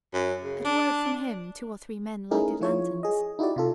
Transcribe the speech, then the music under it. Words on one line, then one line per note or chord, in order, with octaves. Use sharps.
At a word from him two or three men lighted lanterns.
F#2
C#3
D4
A3 C#4 D#4 E4 G#4 A#4
F3 E4 F4 C#5
G#4 D#5
D#4 E4 F#4 G4 D5
C3 F4 A4